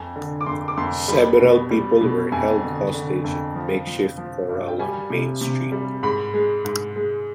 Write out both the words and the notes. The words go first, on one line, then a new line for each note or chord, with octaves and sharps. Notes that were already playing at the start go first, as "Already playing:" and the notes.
Several people were held hostage in a makeshift corral on Main street.
Already playing: F2 G#5
D3
D6
F2 C6
D6
F2 C6
G3 B5
B2
G3
B2
F2 G#5
D3
D3
F2
F3
F3
F3
G2
G5
G3 G#5
C3
C3
G3
G#2 B5
G#3
G#2
G#3